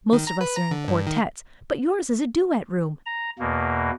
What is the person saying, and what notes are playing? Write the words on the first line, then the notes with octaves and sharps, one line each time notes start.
Most of us are in quartettes; but yours is a duet room.
D#3
A#5
B4
A#5
D3
G2
D#3
A#5
E2 B2 A#3